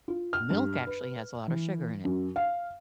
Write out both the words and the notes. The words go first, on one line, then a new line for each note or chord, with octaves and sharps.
milk actually has a lot of sugar in it.
F4
F6
G2
B4
E3
F#2
F5